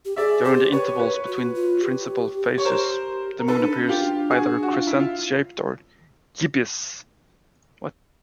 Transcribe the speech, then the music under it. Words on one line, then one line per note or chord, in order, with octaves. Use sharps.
During the intervals between principal phases, the Moon appears either crescent-shaped or gibbous.
G4
G#4 D5 E5
G4 C5 D5
G4 B4 C#5
B4 C#5
F#4
F4
G4
C#5
A#4 C5
A#4
D#4 A4 B4
D4
C#4
D4 F4 G4
F#4 G#4
F#4
F4
E4
F4